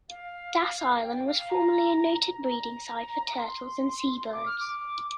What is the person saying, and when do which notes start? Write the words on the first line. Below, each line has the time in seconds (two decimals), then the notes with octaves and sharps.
Das Island was formerly a noted breeding site for turtles and seabirds.
0.09 F5
1.02 G5
1.27 F5
1.50 A#5
2.45 A#5
3.38 C6
4.33 D6
4.46 F6
4.60 D6